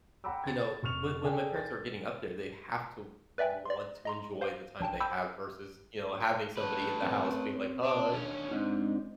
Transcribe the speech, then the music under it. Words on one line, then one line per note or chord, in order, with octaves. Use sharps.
you know, when when my parents are getting up there, they have to want to enjoy the time they have versus, you know, having somebody in the house being like, "Hi,
F#5 G5 A#5 B5 D6 E6
G#6 A6
F1 C#6 F6 F7
G#4 A4 D5 G5 G#5
A6
B4 D5 E5 G5 G#5
D5 C6
D#5 A#5 C6
C5 F5
A#1 D4 G5 A5
G5 A5 B5 D6 E6 G6
A3 B4
C4 C#4
D4
D#2 C#4 D4
G#2 C4 D4 D#4